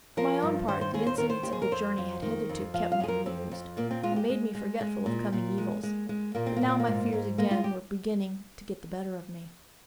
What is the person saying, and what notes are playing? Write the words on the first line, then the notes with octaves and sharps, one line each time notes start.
For my own part the incidents of the journey had hitherto kept me amused, and made me forgetful of coming evils; but now my fears again were beginning to get the better of me.
F3 A#4
G2
D#3 C5
C5
D#2 G#4
C5
D#3 A#4
C5
D#2 G4
G#4
A#4
F2 C5
F2
D#3
F2
F3 F5
F5
F2 G#4
A#4
F2 C4
F2
A#2 A#3
C4
G#3 F4
G4
G#3
G#3
G#3
A#2
A#2
G#3
G#3
G#3
A#2 A#3
C4
A#2 A#3
C4
A#3
G#2
G#2
G#3 A#3
F4
G4